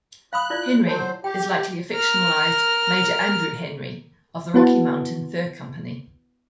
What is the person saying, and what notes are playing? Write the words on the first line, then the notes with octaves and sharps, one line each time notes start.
Henry is likely a fictionalized Major Andrew Henry of the Rocky Mountain Fur Company.
F5 B5 D#6 F#6
E4 F4 D5
F#3 C5 C#5 A5
G4 G5
A#4 F6
B3 E4 F#4 B4 F#5 A5